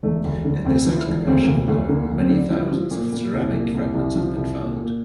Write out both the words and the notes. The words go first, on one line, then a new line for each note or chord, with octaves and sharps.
In this excavation alone many thousands of ceramic fragments have been found.
E1 A3
D2
D3
D2 C4
F3
E4
E1
D2 C4
A#3
D2 C4
D2 A3
D3 A#3
A#3
D2
C4
D3
D4
F3 E4
F3
A#2
A#2
C2
A#2
C2
C2
F3
C2
A#2
A#2